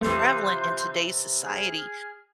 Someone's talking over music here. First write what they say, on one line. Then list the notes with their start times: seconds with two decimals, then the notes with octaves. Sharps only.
prevalent in today's society,
0.01 C3 E3 A3 F4 C6 G6
1.42 G#4 F6